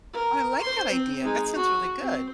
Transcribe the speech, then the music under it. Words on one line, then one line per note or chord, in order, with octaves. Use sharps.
Oh, I like that idea. That sounds really good.
A#4
C5 C6
C4
G#3 D#4
F#4
C4